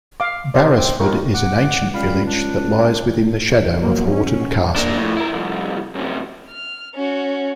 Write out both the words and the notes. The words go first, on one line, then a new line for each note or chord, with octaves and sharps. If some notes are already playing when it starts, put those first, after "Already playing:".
Barrasford is an ancient village that lies within the shadow of Haughton Castle.
F5 D6
C3 D5
C4
D#2 F4 A#4 C#6
F#5 D6
C#2 G3 F5 B5
D4
C#2 A2 F3 F#3 A#3
C#4
A#3 D4
F2 A2
E4 A#4
C2 F2
F#2 C3
F6
C#4 F#4